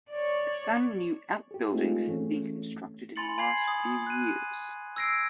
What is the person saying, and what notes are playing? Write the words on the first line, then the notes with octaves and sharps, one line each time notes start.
Some new outbuildings have been constructed in the last few years.
C#5 D5
G4 G#4
G#3 A3 C4 D#4 F4 G#4
E3 A3 C#4
G#5 B5 C6 A6 C#7 F#7
G#5 B5 G#6 C7 F#7
D#6
F#6 D#7
E6 G#6 A#6 C7 D7